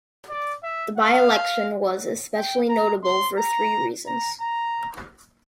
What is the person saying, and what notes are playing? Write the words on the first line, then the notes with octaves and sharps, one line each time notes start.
The by-election was especially notable for three reasons.
D5
E5
F5
G5
A#5
C6
A#5
A#5
A#5